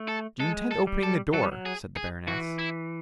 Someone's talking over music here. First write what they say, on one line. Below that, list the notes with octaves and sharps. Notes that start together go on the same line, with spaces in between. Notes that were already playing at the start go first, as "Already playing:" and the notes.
"Do you intend opening the door?" said the baroness.
Already playing: A3
A4
G#3 A4
A4
G3
A4
F#3 A4
G3
F#3
G#4
G#4
E3 F#4
E4